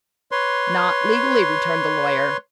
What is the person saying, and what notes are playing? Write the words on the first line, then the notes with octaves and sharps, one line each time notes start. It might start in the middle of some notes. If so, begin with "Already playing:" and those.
"Not legally," returned the lawyer.
B4 C#5 C6